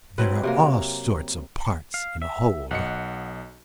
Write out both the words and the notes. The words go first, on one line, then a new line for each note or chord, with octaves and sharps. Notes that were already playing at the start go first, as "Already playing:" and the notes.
"There are all sorts of parts in a whole."
F#3 C4 B4
C3 F#3 A#3
F5
E5
B1 D#5 F#5 C#7